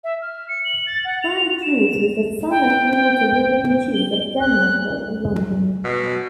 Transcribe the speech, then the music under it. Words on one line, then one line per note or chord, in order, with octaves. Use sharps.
Frank Druce was the son of Walter William Druce of Denmark Hill, London.
E5
F6
C#7
F#7
A6
F#5
F7
E7
G5
G7
F#6
B2